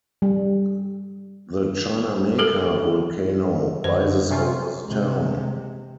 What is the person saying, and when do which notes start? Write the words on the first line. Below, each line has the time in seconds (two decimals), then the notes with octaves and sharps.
The Chinameca Volcano rises over the town.
0.22 G3
2.39 G4 A4 A#4
3.84 F#2 D3 C5
4.30 C3 C#4 F4
4.85 C3 G#3